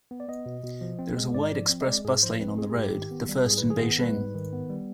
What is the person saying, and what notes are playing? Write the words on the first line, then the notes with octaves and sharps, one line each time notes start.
There is a wide express bus lane on the road, the first in Beijing.
B3
D5
B3 D#5
B2
B2
F3
C4
G#3
G#2 D5
F3
C4
D#5
G#3 D5
G#2 G#4
F3 C5
C4 B4
G#3 G#4
G#4
G#2 G4
D#3
B3
G3
G#2 G#4
B4
D#3
G#4
B3
G3 B4
G#2
D#3
B3
G3